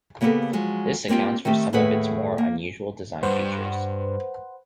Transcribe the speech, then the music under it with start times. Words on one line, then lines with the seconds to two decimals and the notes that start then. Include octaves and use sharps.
This accounts for some of its more unusual design features.
0.21 C#3 A#3 B3 G4 A4 A#4
0.53 F3 F#3 G#3
1.08 G#3 A#3 C4 F4 G4
1.45 D#3 A3 C4 G4
1.73 D#2 A2 G#4 A4 B4 F#5
2.38 A#3
3.23 G2 G3 B4 C5 F#5